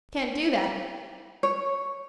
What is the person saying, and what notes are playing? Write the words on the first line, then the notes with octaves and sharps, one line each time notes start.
Can't do that.
C#5